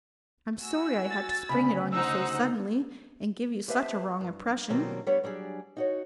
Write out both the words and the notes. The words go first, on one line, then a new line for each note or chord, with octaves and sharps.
I'm sorry I had to spring it on you so suddenly and give you such a wrong impression.
F#4 G#5 E6
A6
D2 C#3 B5
D#4 C5 F#5 E6
G4 B4 C5 D#5 E5 A5
G2
B2 D#3 F#3 G3 A#3 C4
G3 B3 D4 C#5
F#3 G3 D4 G#4
D#4 F#4 C#5